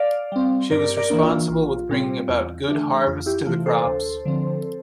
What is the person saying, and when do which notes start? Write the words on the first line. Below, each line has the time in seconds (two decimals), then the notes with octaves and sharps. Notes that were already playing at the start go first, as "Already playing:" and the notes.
She was responsible with bringing about good harvest to the crops.
Already playing: D5 F5
0.32 G3 C4
0.71 G2 A#4 D5
0.97 A#4 D5
1.10 E3 A#3 D4
1.23 F4
1.50 A#1
1.89 A#2 G3 C4
2.28 E2
2.68 E3 A3 D4
3.07 F2 F4
3.26 E4 G4
3.46 C3 E3 A3 F4
3.66 A4 C5
3.85 D2
4.25 D3 F3 C4